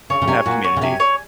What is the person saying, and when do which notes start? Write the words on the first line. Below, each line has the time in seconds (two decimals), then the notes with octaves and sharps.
I have community.
0.10 C#3 C#5
0.22 C#3
0.28 C3 G#5
0.46 A#2 F#4
0.64 C#5
0.77 C#3
0.81 C3 G#5
1.00 C#5